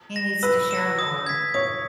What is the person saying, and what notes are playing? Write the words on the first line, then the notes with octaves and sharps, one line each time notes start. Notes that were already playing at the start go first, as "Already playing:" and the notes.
he needs to share more."
A#6 E7
B4 E6
A#6 E7
D#6
G#6 B6
C#5 D#6